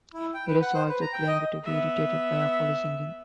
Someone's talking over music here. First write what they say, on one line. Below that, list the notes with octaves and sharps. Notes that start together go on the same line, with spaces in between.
Eros also claimed to be irritated by Apollo's singing.
E4
G5
B4
F#5
C5
B4
A#5
G5
D#5
B3 E5